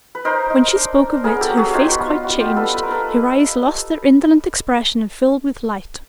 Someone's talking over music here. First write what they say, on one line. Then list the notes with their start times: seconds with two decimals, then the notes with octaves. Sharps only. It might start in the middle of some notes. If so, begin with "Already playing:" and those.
When she spoke of it her face quite changed, her eyes lost their indolent expression and filled with light.
0.15 B4
0.25 D#4 A#4 C5
0.50 D#4
0.75 D4
1.00 D4
1.24 B3 G#4 A#4
1.41 G4 A4
1.49 F#3
1.57 F#4 G#4
1.74 D#4 F4 G4
1.91 F#4
1.98 B3
2.08 F4
2.23 G3 F#4
2.40 F4 G4
2.49 G3
2.56 A4 B4
2.74 F4 B4
2.83 A#4
2.90 A4 B4